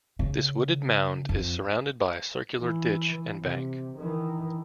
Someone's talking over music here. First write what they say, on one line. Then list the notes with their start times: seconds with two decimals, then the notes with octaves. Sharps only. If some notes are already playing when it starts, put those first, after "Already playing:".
This wooded mound is surrounded by a circular ditch and bank.
0.19 C#3
1.29 F2
2.58 E3
3.42 C3
3.98 D#3 E3